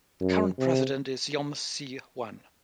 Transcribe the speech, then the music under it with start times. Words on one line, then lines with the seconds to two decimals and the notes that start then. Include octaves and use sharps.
The current president is Yeom Si Hwan.
0.21 F#2
0.59 C3